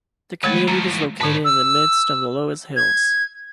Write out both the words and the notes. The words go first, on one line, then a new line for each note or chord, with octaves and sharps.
The community is located in the midst of the Loess Hills.
D#3 G#3 A3 B4 C#5
A2 F3 A#5
G#2 D3 B4 C#5
E6
G#6